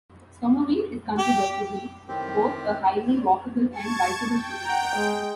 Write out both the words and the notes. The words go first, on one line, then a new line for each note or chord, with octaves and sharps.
Somerville is considered to be both a highly walkable and bikeable city.
G4
A2 D#3 C4 G4
A5 C#6 G#6
G5
F#5 A#5
G#3